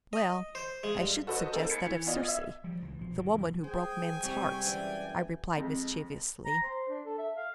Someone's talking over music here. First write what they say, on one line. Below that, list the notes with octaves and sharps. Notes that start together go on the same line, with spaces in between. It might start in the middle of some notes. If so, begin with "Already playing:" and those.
"Well, I should suggest that of Circe--the woman who broke men's hearts," I replied, mischievously.
D#5
C5
G#3
G2
F#4 A4 B4 C5 D#5
A#3 D#4 G#4 A4 C5
B5 G#6 A6 B6 C#7
E3
B3 F4 D5 D#5
E5 G#6
F3 G3
C#2 E3
A#1 B2 F3
G2 D#3
E1 D#2 E3
G#3 G#4 C5 G5 G#5
C3 G3 C4 C#6
F#2 E3 D5
F2 G#3
A#5
C5
D4
A4
E5
F5